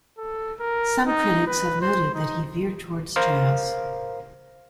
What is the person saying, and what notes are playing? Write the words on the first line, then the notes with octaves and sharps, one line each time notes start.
Some critics have noted that he veered towards jazz.
A4
A#4
D#4
B4
C5
D#4
A#4 C5 F5 A#5 F6